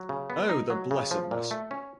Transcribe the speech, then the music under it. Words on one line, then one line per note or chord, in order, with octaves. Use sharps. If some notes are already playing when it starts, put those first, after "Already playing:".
Oh, the Blessedness!
Already playing: F#3
C#3
B3
D#4
F#3
C#3
F3
A#2
A3
C#4